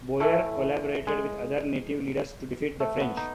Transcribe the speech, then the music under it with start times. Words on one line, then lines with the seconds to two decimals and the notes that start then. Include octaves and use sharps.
Boyer collaborated with other native leaders to defeat the French.
0.20 A2 E3 A3
1.07 G#3
2.80 A3
3.01 B3
3.17 D#4